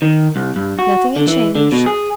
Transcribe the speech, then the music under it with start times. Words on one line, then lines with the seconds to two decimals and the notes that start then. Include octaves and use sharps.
Nothing had changed.
0.02 D#3
0.36 C2
0.56 G2
0.79 F#4
1.16 D3
1.28 E3
1.55 D3
1.72 B2
1.86 G#4